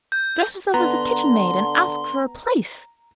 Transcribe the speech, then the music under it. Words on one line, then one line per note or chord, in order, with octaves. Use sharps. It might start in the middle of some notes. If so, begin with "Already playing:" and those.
'Dress yourself as a kitchen-maid and ask for a place.
G6
D3 B3 A#5 C6